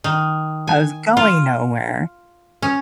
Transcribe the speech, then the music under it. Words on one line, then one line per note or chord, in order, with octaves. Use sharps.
I was going nowhere,
D#3
G#5
F4
C#4